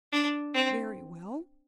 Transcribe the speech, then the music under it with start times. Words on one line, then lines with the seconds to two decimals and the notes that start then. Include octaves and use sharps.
Very well.
0.12 D4
0.55 C4